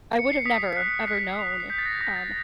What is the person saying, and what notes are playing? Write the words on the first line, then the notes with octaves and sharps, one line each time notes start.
I would have never ever known, um, ha
C#7
C7
D#6 B6
F#6 C7
F#6 B6
D#6
C7
G6 B6
A6
A#6
D#6 A#6
A6